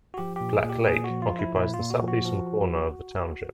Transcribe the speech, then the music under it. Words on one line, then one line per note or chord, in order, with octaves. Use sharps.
Black Lake occupies the southeastern corner of the township.
F#4
F3 G4
A#2 G4
G#4
A#2
G4
A#2 G#4
F#4
F3
F4
F3
E4
A#2 E4
F4
A#2
F#4
F3
F#4
F3